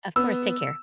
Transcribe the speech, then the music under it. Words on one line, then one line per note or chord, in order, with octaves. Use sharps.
Of course, take care.
B3 E6